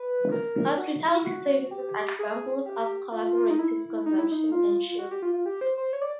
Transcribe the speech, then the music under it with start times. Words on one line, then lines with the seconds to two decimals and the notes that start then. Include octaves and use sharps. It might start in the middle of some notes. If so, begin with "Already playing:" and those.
Hospitality services are examples of collaborative consumption and sharing.
Already playing: B4
0.32 A#4
0.77 F#4
1.09 E4
1.25 F#4
1.71 G4
2.19 G#4
2.66 G4
3.12 F4
3.50 D#4
3.59 E4
4.06 D#4
4.18 E4
4.32 D#4
4.52 F4
4.98 F#4
5.11 G4
5.22 F4
5.34 F4
5.46 G4
5.61 C5
5.77 C5
5.93 C#5
6.02 D5